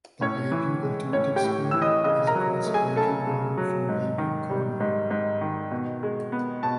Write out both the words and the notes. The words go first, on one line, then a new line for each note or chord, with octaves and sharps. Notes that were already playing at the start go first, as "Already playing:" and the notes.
The Bayview Alternative School is across Bayview Road from Bayview Corner.
A2 C#4 C#5
E3
G#3
A2 C#4 C#5
G4 G5
A2
E3 E6
D#5 D#6
C#3 D#5 D#6
A#4 A#5
F#3
A3
G#4 G#5
C#3 A4 A5
C#3
F#3
G#2
D#3
G3
G#2
G#2
D#3
B2
G#3
B3
B2 A5